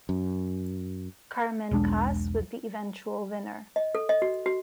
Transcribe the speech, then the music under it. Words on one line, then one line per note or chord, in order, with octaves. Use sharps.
Carmen Kass was the eventual winner.
F#2
E1 B1 G#3 D4
D#5
A4
D#5
F#4
F#4